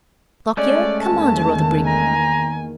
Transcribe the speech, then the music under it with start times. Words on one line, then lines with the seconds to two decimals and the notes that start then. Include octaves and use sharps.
Lockyer, commander of the brig.
0.57 G#3 A3 C#4 D5
1.03 E2 D#3 A#3 A5
1.87 G#5 A#5